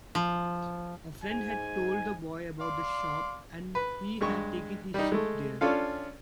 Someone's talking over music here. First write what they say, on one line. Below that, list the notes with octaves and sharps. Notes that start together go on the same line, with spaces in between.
A friend had told the boy about the shop, and he had taken his sheep there.
F3
G#2 G#5
D5 F5 C6
B4
G2 G#3 C#6
G3 D#4
G#3 A3
C#4 D4 F4 A4 F5